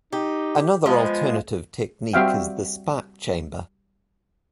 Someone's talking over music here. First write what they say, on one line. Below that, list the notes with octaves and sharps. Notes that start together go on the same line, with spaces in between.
Another alternative technique is the spark chamber.
D#4 G4
F3 G#3 B3
G3 C4 F#4 E5 F5 G5